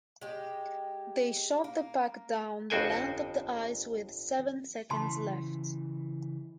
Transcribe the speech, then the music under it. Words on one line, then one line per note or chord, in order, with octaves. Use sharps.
They shot the puck down the length of the ice with seven seconds left.
G#3 G4
A#3
G1 F2 F#4 C5 G5 G#5
C#3 E3 A5 C6